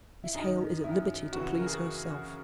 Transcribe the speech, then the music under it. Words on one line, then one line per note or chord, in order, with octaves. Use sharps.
Miss Hale is at liberty to please herself.'
E4
F#2 D#3 D#4
F#2 D#3 E4
F#2 C#3 E3 F#4
A#4
G#4